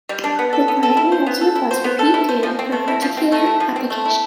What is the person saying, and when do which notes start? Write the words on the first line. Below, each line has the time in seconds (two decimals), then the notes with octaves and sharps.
The client may also request repeat data for a particular application.
0.09 G3
0.24 D4
0.39 B3
0.53 A4
0.68 B3
0.83 A4
0.97 E4
1.12 C5
1.26 B3
1.41 A4
1.56 E4
1.71 C5
1.84 B3
1.99 A4
2.14 E4
2.29 C5
2.43 F3
2.59 C4
2.72 A3
2.88 E4
3.02 F3
3.17 C4
3.32 A3
3.46 E4
3.60 F3
3.76 C4
3.90 A3
4.05 E4